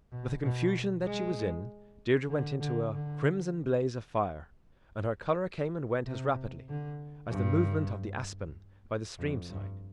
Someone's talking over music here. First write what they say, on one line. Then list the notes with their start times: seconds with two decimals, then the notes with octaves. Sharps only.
With the confusion that she was in, Deirdre went into a crimson blaze of fire, and her colour came and went as rapidly as the movement of the aspen by the stream side.
0.12 B2
0.43 B2
1.05 G#3
2.30 D3
2.61 D3
2.93 D3
6.06 C3
6.69 D3
7.30 G2
9.19 F2
9.49 G2